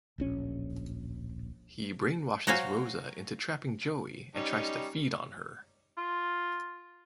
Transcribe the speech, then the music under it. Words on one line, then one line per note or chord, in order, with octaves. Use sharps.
He brainwashes Rosa into trapping Joey and tries to feed on her.
D1 A#1 C#4
F#3 F#4 C5 C#5 F5 G#5
G3 C#4 D#4
F4